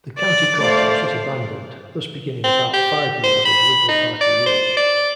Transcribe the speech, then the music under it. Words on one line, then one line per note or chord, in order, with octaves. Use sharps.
The county courthouse was abandoned, thus beginning about five years of Liberal Party rule.
D5
A3 C5 F5
C4
G4
C5
B5
D#4
D5
C5
D5